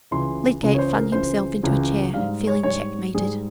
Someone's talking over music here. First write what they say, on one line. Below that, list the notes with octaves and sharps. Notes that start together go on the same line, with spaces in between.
Lydgate flung himself into a chair, feeling checkmated.
C#2 C#3 E3 C6
C#2 C#3 E3
C#5
C5
A#4
C#2 C#3 E3 C5
C#2 C#3 E3
G#2 G3 F5
C#5
G#2 G3 C#5
G#2 G3 G#4